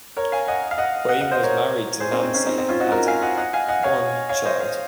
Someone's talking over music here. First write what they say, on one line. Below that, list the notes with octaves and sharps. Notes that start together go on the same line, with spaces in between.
Wayne was married to Nancy and had one child.
A#4 C#5
F5 G#5
D#5 F#5
F5
D#5 F#5
D#5 F#5
D#5 F#5
C5 D#5
A#4 C#5
G#4 C5
C4 D#4
C4
C#4
C4 D#4
C4 D#4
C#4 F4
D#4 F#4
F#4 A#4
F5 G#5
D#5 F#5
D#5 F#5
F5 G#5
D#5 F#5
C#5 F5
C#5 F5
C5 D#5
C#5 F5